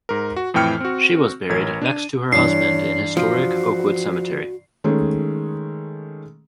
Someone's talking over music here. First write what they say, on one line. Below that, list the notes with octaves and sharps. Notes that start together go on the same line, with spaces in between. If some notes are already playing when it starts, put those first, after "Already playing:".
She was buried next to her husband in Historic Oakwood Cemetery.
G#2 A#4
F#4
F2 A2 E3 G5 F6 C#7
C4 F#4
A1 A#4 C#5 G#6
D4 D#7
G2 E3 C#5 C7
F3 F#4
D#3 G#3 A3 C#4